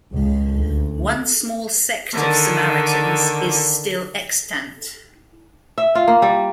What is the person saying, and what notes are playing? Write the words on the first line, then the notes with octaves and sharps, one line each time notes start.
One small sect of Samaritans is still extant.
C#2
D2
D3 D#3
E5
F4
A#3
G3